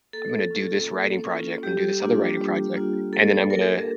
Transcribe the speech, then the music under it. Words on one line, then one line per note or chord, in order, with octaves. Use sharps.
I'm gonna do this writing project, I'm gonna do this other writing project, and then I'm gonna
A#3 A4
C#4 F4
A#3
C#4 F4
G3 G4
A#3 D4 F4
G3
A#3 D4 F4
A#3 A4
D4 F4 A#4